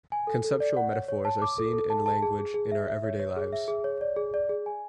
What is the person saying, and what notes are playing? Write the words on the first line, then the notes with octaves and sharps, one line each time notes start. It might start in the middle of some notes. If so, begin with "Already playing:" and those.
Conceptual metaphors are seen in language in our everyday lives.
G#5
A4
A4
D5
F#5
C#5
C#5
A5
D6
A4
A4
A5
A5
G#4
G#4
G#4
E5
E5
C#5
C#5
G#4
E5
G#4
C#5
D5
G#4
D5
G#4
G#5